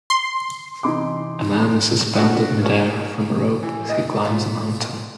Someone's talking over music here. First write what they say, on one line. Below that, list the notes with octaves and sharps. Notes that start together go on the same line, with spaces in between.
A man is suspended midair from a rope as he climbs a mountain.
C6
C3 E3 D#4 E4 C6 D6
F3 B3 D4 F#4
A#3 C#4
E3
E2 D#5
A#2